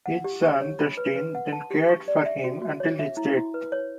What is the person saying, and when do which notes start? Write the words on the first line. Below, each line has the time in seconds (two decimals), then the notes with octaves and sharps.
His son Dustin then cared for him until his death.
0.06 F#5
0.24 G4
0.42 C#6
0.61 C#5
0.79 B5
0.97 B4
1.16 B4
1.35 F#5
1.52 A5
1.71 G4
1.89 C#6
2.08 D5
2.26 E5
2.44 F#4
2.62 F#4
2.80 C#5
2.99 E5
3.17 E4
3.36 E4
3.54 B4
3.72 C#5